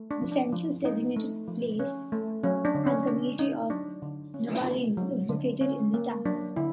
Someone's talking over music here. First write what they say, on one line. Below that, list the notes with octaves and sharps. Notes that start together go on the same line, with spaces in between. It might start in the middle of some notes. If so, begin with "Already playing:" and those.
The census-designated place and community of Navarino is located in the town.
Already playing: A3
D4
F3
D4
F3
C4 D#4
A3
F3
C#4
A3
F#3 C#4
D4
D3
C#4
C#4 D4
A3 D#4
F#3 D4
D3
C#4
A#3
F#3
D3
C#4
A#3
F#3 D4
D3 E4